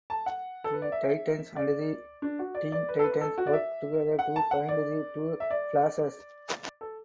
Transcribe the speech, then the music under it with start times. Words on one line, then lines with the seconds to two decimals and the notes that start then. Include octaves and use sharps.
The Titans and the Teen Titans work together to find the two Flashes.
0.10 A5
0.26 F#5
0.64 A4
0.73 B4
0.82 D5
0.92 E5
1.56 D5
2.22 D4
2.39 F#4
2.55 D5
2.72 D5
2.89 B4
2.99 A4
3.04 B4
3.21 A4
3.38 F#4
3.47 D5
3.53 E5
4.19 F#5
4.36 A5
4.51 F#5
4.69 D5
5.40 E5
5.51 D5
6.81 A4